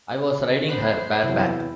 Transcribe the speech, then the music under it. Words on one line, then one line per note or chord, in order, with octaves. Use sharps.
I was riding her bareback...
B3 C5 B5 F#6
E2 C3 F#3 E4 G5